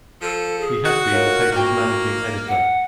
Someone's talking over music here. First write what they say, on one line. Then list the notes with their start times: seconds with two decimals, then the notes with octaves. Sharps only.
He had been the paper's managing editor.
0.22 F3 A4
0.60 G#4
0.85 F#4
1.12 D#4 F4 A#4 C#5
1.52 G#2 A#3 F4 F#4 G5
2.47 F#5